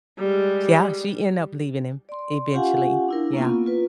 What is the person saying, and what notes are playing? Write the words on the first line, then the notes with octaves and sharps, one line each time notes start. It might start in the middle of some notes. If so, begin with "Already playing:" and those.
Yeah. She end up leaving him eventually. Yeah.
G3 G#3
D5 C6
C#4 F4 G4 F5 F#5 G#5
D4 E4 A#4
A#3 B3 C#4 F4
F4 B4